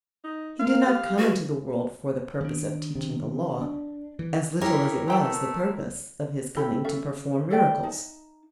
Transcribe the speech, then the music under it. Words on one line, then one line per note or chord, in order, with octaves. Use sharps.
He did not come into the world for the purpose of teaching the Law, as little as it was the purpose of His coming to perform miracles.
D#4
A#4 F5
G4
F#4 B4
D#3 D4
C3
D4
E3
D#4 E4 G4 A#4 C#5
B2 A3 G5 A#5
E4 G4 A4 B5
C#4 A4 E5
A4 D5 E5 G5
D#4 A5